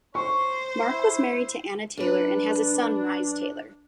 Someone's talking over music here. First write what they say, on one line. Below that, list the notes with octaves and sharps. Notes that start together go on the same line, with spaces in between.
Mark was married to Anna Taylor and has a son Rhys Taylor.
C5 C#5 C#6
E4
F#2 D4 B4